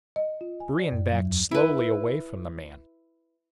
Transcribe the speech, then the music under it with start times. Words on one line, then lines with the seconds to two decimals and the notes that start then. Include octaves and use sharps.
Brion backed slowly away from the man.
0.16 D#5
0.41 F4
0.60 G#5
0.79 D5
0.92 F#2
1.12 F#3
1.26 E2
1.51 E4 B4